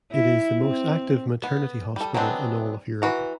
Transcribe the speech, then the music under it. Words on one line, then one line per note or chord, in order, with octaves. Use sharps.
It is the most active maternity hospital in all of Europe.
E4
C4
B3
G3 A4
F#3 G#3 B3 C4 D4
E3 F#4 A#5